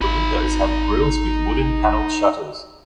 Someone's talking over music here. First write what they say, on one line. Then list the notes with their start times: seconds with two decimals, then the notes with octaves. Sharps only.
The windows have grills with wooden paneled shutters.
0.01 G#1 D#4 B5